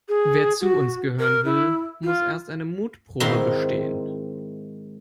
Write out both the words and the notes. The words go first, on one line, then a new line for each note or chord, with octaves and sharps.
Wer zu uns gehören will, muss erst eine Mutprobe bestehen.
G#4
F#4
A#4
E4
F4
G#2 D#3 C4 E4 F5 C6